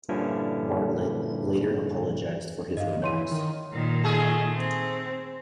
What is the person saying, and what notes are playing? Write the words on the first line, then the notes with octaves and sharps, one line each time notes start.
Bartlett later apologized for his remarks.
G2 A#2 D3 F3 C#4 E4
G2 D#5 F5
E3 C#5 C6 D#7
D#3
A#2 D#3
A3 G#4
C4